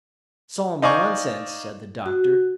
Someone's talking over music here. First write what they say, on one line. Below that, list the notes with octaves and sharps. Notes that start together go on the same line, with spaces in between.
"Solemn nonsense," said the doctor.
D#4 C5 D5 F5 G#5 C#6
F#4